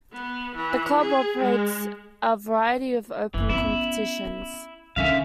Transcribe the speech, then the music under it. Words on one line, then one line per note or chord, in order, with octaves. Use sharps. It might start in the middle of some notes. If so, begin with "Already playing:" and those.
The club operates a variety of open competitions.
B3
E3
G#4
G#3
F#1 E3
B3 C#4 E4
D3 D#3 C#4 E5 F5